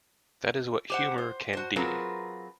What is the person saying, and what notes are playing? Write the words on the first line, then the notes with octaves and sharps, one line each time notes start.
That is what humor can d.
G4 C5 F#5
C5
F#4 C5
F#3 C4 F4 G#4 A#4 B4